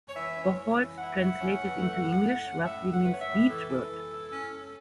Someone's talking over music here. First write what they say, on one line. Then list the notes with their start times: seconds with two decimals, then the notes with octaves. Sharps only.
Bocholt translated into English roughly means "beechwood".
0.09 C#5
0.15 E3 E5
0.36 C#4
0.44 C#5
0.57 E4
0.78 E3
0.98 E4 F#5
1.20 E4
1.40 C#4
1.61 E3
1.82 A3
2.02 A2
2.23 A3
2.44 C#4
2.65 A2 E5
2.86 A3
2.93 F#5
3.05 C#4 B4
3.13 C#5
3.20 E5
3.28 A2
3.49 E3 A4
3.70 E3
3.90 E3
4.11 E4
4.32 C#4
4.52 C#4